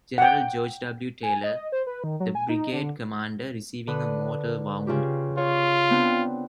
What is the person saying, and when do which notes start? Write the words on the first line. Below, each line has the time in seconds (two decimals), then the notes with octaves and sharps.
General George W. Taylor, the brigade commander, receiving a mortal wound.
0.18 F#5 G5
1.23 G#5
1.44 D#5
1.72 C5
1.87 B4
2.04 D#3
2.20 F#3
2.35 G#5
2.49 D#4
2.73 D3
3.87 D3 B4 D#6
4.87 C#3 F4 G4
5.38 F4 C#5 C#6
5.90 B3 C4 D4